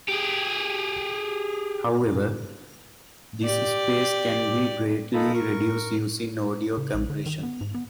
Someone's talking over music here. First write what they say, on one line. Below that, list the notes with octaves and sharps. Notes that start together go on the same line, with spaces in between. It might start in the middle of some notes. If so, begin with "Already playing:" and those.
However, this space can be greatly reduced using audio compression.
G4 G#4
G4 D5
D#4 F4 A4 B5
A#4 C#6
C#3
A#1
D3
D#3
B3
G#2
B3